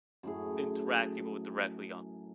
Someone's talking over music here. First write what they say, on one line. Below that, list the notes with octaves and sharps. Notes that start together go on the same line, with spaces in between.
interact people with directly on
F#2 A2 G#4